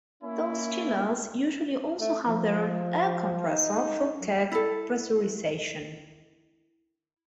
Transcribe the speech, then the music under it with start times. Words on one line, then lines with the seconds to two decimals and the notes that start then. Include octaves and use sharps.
Those chillers usually also have their own air compressor for keg pressurization.
0.23 A#3 C#4 E4
2.00 A3
2.27 F3
3.48 D#4
4.21 F#3
4.52 E4 A4